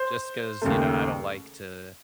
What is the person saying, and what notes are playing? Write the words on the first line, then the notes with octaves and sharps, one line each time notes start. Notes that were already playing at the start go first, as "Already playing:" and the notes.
just 'cause, you know, I don't like to
Already playing: C5
D#2 C#3 A3